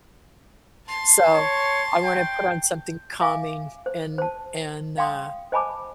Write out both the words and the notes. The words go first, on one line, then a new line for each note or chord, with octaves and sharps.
So, I wanna put on something calming and and, uh
A5 C6
C#5
G5
E5 F5 G#5 D6
C5
C5 A5
F5 G5 C6 D#6
C5 D#5 G#5 A5 B5 D6